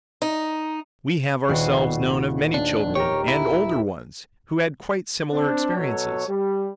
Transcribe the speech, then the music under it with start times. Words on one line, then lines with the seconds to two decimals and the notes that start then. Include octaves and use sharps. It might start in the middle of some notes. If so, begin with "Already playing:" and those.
We have ourselves known of many children and older ones who had quite similar experiences.
0.22 D#4
1.49 D#1 F#4 C7
2.54 D4
2.95 G4 A#4 C#5
3.28 E4
5.33 C4 D4
5.75 B2 F#3 A4 C#5
6.28 G3